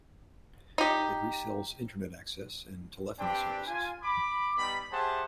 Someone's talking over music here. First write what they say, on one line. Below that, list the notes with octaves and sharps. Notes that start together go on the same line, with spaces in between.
It resells internet access and telephony services.
D#4 G4
C4 D4 G4 B4 D5 G5
F4 G#5
B5 D6
G3 B3 D#4 B5
G4 G#4 C5 E5 F#5 A5